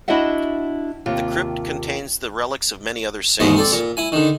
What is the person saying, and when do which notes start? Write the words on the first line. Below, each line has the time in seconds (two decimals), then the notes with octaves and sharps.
The crypt contains the relics of many other saints.
0.08 D4 E4 F#4 D#5 E5 F#5
1.06 D#2 C3 F4
3.40 A1 D#2 G#2 B3 C5 D#5
3.56 C4 A4 D5
3.72 A#2
3.97 E4 G#5
4.12 D3 D#3